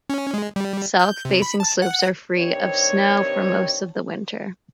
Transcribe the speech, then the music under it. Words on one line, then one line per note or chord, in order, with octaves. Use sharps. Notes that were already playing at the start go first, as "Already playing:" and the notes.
South-facing slopes are free of snow for most of the winter.
C#4
G#3
G3
G6
C3
B5
A5
F#5
G2 C3 D#3 C4 C#5